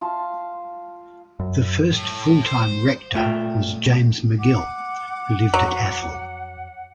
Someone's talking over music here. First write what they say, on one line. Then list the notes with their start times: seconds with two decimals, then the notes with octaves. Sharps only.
The first full-time rector was James Magill, who lived at Athol.
0.01 F4 F5 A5 C6
1.40 F#2
1.91 A2
2.45 C5
3.14 A#2 A3 F4 E5 G5
4.39 F#5 D6
5.54 F2 F#3